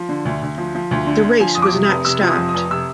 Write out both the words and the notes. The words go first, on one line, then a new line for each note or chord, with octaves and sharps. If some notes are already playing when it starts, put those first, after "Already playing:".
The race was not stopped.
Already playing: F3
D3
D2
D2
F3
F3
D2
D3
D3
F3 G#5
F2 D#6
D6
C3
D#6
F1
C3 E6
F3
D#6
F2
D#6
F1
C3 E6